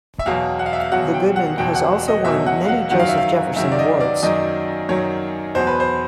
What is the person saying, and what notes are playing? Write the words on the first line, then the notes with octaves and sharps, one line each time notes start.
The Goodman has also won many Joseph Jefferson awards.
E5
E2 B2 F#3 F5
F#5
F5
E5
F5
E2 B2 F#3 F#5
G5
F#5
E2 B2 F#3 G5
F#5
D#5
E2 B2 F#3 E5
F#5
F5
F#5
F#2 D#3 F#3 F#5
F5
E5
F5
F#2 D#3 F#3 E5
D5
D#5
D5
F#2 D#3 F#3 D#5
F#2 D#3 F#3 C#5
E2 B2 F#3 C5
B4
C5